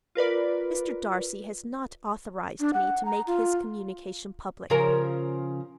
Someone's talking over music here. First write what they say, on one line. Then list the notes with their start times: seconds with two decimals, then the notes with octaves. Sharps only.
Mr. Darcy has not authorised me to make his communication public.
0.15 F4 A#4 B4 D5
2.60 D4
2.73 F#5
3.05 A#5
3.27 F4
4.70 C#3 F3 A#4